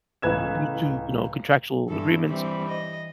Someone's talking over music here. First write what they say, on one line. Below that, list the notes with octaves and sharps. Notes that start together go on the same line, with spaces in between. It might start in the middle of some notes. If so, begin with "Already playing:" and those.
due to, you know, contractual agreements
C#2 A2 E3 B4 G#6 E7
G2 E3 A4
E3 G3 C4
D#5